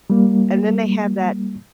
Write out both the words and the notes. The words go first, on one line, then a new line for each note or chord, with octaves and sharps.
and then they have that
G3 A#3